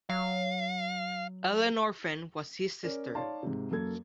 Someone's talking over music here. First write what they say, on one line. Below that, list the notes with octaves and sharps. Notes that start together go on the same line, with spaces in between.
Ellenor Fenn was his sister.
F#3 F5
C#4 A#4 D5
D#4 C#5 D5 F5 A5 C6
G#2 C3
F#2 A#3 A4 G#6